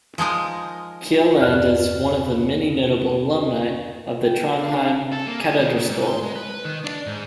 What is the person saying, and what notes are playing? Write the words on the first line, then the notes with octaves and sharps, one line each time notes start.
Kielland is one of the many notable alumni of the Trondheim Katedralskole.
F3 G#3 D#4 A#4
E2 G2 D5 F6 F#6
G5
D4 F5
A4
A#3
G#4
D#3
A#2
G#2
C6
G#3
B4
D#3
D4
G#2